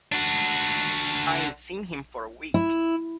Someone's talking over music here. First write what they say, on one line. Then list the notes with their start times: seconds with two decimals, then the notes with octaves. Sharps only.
I ain't seen him for a week.
0.12 D4 F#4
2.54 E4